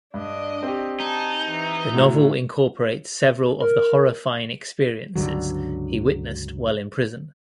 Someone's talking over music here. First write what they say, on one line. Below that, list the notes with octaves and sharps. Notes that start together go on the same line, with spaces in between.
The novel incorporates several of the horrifying experiences he witnessed while in prison.
G2 D4 D#5
C4 G4
D#4 G#5 A5
E3 A#5
A2 F#4
A#4
C#2 G2 D3 F#3